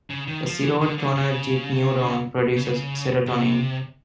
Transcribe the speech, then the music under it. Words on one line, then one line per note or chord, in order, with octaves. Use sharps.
A serotonergic neuron "produces" serotonin.
C#3
D#3
F3
E3
D3
D3
C#3
C#3
C3